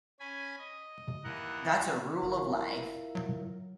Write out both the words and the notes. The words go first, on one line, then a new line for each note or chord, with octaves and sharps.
That's a rule of life.
C#4 G#5 B5
D#5
D#2 E3 A#4 F#5
G1 E4 F4 A#4
F#3